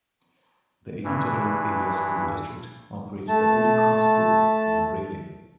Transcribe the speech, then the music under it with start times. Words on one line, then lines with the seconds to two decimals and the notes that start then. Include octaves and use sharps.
The Iditarod Area School District operates the Holy Cross School in Grayling.
1.04 G2 E3
3.28 A3 A5